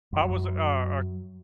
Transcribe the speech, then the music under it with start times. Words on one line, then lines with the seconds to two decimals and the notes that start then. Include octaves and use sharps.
I was, a, uh uh
0.13 F#2 F#3